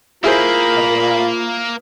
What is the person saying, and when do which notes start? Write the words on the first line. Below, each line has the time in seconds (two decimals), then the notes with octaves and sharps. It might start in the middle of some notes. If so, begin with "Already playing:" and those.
Oh wow.
0.24 A#3 E4 F4 G#4 A#4 C5 B5